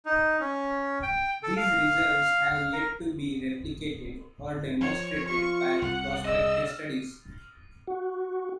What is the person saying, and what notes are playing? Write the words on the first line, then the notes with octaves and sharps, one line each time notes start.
These results have yet to be replicated or demonstrated by prospective studies.
D#4
C#4
G5
A4
F5
A#4
F3 C#5
F4 C#6
C2 F#5
G#4 D5 D#5 E6
F#4